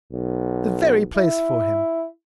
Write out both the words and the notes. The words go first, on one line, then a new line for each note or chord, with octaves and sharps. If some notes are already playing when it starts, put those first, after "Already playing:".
The very place for him.
B1
E4